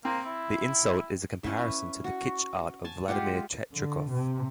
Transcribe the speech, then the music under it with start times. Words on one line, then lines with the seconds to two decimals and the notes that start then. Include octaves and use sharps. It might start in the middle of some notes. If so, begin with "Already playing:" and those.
The insult is a comparison to the kitsch art of Vladimir Tretchikoff.
0.05 A#3 C4
0.26 E4
1.43 C#4 E4 B4 E5
2.04 F#4
2.85 G#5 A5
3.08 G#3 F4 G4 F#5
3.72 D3
4.10 C3